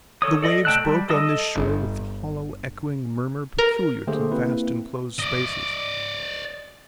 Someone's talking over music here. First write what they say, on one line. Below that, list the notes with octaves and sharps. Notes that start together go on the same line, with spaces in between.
The waves broke on this shore with the hollow echoing murmur peculiar to vast inclosed spaces.
A4 C#5 D#6
A4 D5 D#5
A3 G5 A5 E6 F#6
G3
A4 D#5 D#6 E6
G1
A#4
D3 A3 A#3 G4 G#4 C5
A#3 C4 E4 B4
D5 D#5